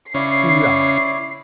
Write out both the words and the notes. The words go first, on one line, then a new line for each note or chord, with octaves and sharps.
"You lie!"
C#3 C#4 E4 C#5 D5 C7